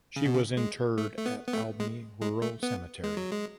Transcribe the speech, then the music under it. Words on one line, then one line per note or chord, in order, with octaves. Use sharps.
She was interred at Albany Rural Cemetery.
C#3
B2
C#3
G#3
A3
A3
B3
B3
A3
G#3
G#3
A3
B3
G#3
F#3
G#3